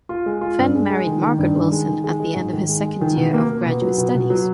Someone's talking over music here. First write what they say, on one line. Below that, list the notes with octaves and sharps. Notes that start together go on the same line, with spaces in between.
Fenn married Margaret Wilson at the end of his second year of graduate studies.
F4
G#3
F4
G2
G#3
G#3
D#3
D#3
G2
D#3
G#3
D#3
G#3
G#3
G#2
D#3
G#3
G#3
D#3
B2
A#3
A#3
B2
F#3
B2
B2
F#3